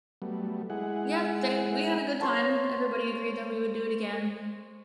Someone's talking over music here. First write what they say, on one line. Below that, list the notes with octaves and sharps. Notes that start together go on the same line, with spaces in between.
Yet they we had a good time. Everybody agreed that we would do it again.
F#3 G3 A3 B3
G#3 E4 G#4 F#5
C5 C#5 A5